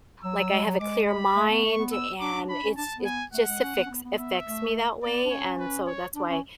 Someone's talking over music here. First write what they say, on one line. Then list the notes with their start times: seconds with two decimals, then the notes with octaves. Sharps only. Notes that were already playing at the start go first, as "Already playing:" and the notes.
like I have a clear mind and it's it's just affects affects me that way and so that's why
0.24 F#3 E6
0.38 F#3
0.52 G#3
0.66 F#3
0.80 G#3 D6
1.08 B5
1.36 A3
1.50 B3
1.65 A3 C#6
1.78 B3
1.93 E6
2.20 D4 D6
2.35 D4
2.49 D4 B5
2.63 C#4
2.77 D4 A5
2.96 B3
3.05 G#5
3.33 A3 F#5
3.47 G#3
3.61 C#4
3.75 B3
3.85 C#4
3.90 B3
4.04 B3
4.18 B3 E5
4.46 A3
5.02 B3 D5
5.25 D4
5.30 C#4 C#5
5.44 C#4
5.59 B4
5.87 C#5
6.15 D4
6.30 C#4